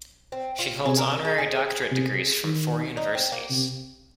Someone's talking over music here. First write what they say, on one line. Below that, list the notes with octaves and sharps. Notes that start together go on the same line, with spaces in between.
She holds honorary Doctorate degrees from four universities.
C4
F4
C3 G#4
A#4
A#4
G#4
G#4
C3
D#3
D#4
C4
A#3
C3